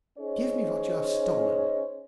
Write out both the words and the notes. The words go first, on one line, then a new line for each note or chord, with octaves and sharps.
'Give me what you have stolen!'
C#4 D#4 G#4 C5 C#5 D#5